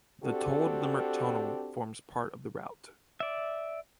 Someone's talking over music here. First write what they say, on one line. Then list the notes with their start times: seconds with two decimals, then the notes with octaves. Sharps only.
The tolled Limerick Tunnel forms part of the route.
0.23 C4 D4 F#4 G4 A4
3.20 D5 E5